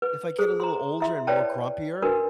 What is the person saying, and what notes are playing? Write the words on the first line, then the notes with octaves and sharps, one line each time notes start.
if I get a little older and more grumpier
B4
G#4 A4 C5
A#5 C6
E4 E5 C6
B4 C#5 D5 G5 A5
D4 F#4 A#4 B4